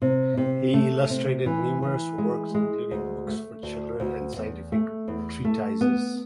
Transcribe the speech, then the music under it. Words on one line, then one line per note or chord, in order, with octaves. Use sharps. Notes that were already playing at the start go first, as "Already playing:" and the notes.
He illustrated numerous works including books for children and scientific treatises.
C3
C3
A3
C3
E3
E3
G#3
G#3
D2
A3
D2
D2
E2
A3
E2
A3
B3